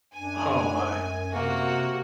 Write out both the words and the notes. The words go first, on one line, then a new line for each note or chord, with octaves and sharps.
Oh, my.
F#2 D4 G#5
C3 A#3 F#4